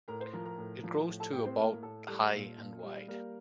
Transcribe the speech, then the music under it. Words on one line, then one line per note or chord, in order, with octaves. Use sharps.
It grows to about high and wide.
A2 A#4 A#5
C5 C6
F3 A#4 A#5
A#4 A#5
A2
F3
A2
A4 A5
A2 G4 G5
C4 C5
A2 A#3 A#4
A2 A4
G3 A4
A#2
A#2
G3
G3 A#3 A#4